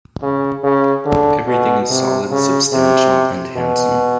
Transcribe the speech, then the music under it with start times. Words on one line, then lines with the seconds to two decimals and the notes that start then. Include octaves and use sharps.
Everything is solid, substantial, and handsome.
0.23 C#3
0.64 C#3
1.06 D3
1.48 B2
1.90 C3
2.32 C#3
2.73 C3
3.57 B2